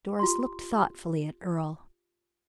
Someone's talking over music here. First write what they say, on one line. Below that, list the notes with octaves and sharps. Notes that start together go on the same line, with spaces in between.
Doris looked thoughtfully at Earle.
F4 G4 C6